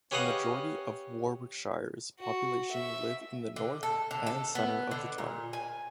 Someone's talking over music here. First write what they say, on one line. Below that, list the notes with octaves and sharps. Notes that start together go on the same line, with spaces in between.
The majority of Warwickshire's population live in the north and centre of the county.
C#4 G4 B4 D#5 F5 F#5
F#4
E5
D3
A4
D3
A4
B3
D3
A#2
G#5